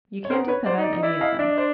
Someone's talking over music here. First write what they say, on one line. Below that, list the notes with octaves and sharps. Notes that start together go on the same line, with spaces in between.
You can't depend on any of them.
C#5
B3 A#4 C5
B4 C#5
C5 D5
D#4
D5
D#5
E4 D5 E5
D#5 F5
D4 D5 E5
D#5
C5 D5